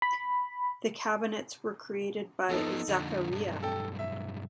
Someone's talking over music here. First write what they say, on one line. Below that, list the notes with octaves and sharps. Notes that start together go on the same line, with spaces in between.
The cabinets were created by Zaccaria.
B5
F3 B3 D#4 A4
F2 D3
B1 G2
A4 G5
E5